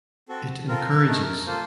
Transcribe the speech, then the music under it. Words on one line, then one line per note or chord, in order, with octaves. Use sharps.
It encourages.
C4 F#4 A4
C4 F4 A4 A#4
A3 D#4 A4
A#3 F4 A4 C5